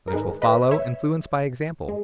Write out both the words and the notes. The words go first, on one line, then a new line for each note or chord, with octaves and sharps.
Others will follow, influenced by example.
A#4
G#2 D#3 G#3 G#4 B4
B4 D#5
C#5 E5
G#3